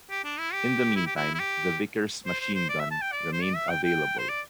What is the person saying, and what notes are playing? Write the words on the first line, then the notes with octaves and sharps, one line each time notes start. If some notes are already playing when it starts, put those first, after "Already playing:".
In the meantime, the Vickers machine gun remained available.
G4
D4
E4
G4
E4
G4
E4
E4
G4
C5
C5
C5
D5
E5
A5
G5
D5
C5
D5
E5
G5
G5
C5
D5